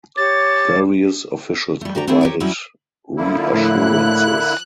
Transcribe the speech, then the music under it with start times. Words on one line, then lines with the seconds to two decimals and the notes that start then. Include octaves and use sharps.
Various officials provided reassurances.
0.17 G4 C#5 D6 A6
1.81 G3 A3
1.95 F#4 G4 D5 A#5
2.07 A3 C4 D4 E4 G#4
2.21 G4 A#4 C#5
2.40 F#3 G3 C#4 D#4 E4
3.17 D3 F3 A#3 E4
3.53 A2 F#6